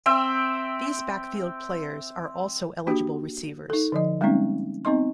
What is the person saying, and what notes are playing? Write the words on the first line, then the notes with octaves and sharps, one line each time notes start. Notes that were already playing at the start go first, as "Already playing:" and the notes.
These backfield players are also eligible receivers.
C4 E5 G5
A#3 D4 F#4 G4
D#4 A4
D3 F3 D#5
G3 G#3 A#3 C4 C#4 D#4
B3 C4 D#4 D#5 C6